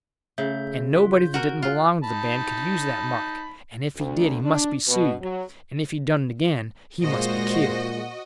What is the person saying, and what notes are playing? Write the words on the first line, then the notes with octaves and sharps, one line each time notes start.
And nobody that didn't belong to the band could use that mark, and if he did he must be sued; and if he done it again he must be killed.
C#3 A3 E5 G6
F4
G6
F#4 A#4
F4 F6 F#6
D#4 A5 B5
D2
D4
B2
F#3
A#2 G#3 F4 F#4 C5 D#5 A#6